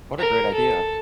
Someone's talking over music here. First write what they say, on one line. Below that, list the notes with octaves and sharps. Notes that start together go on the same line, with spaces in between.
What a great idea.
A#4
A4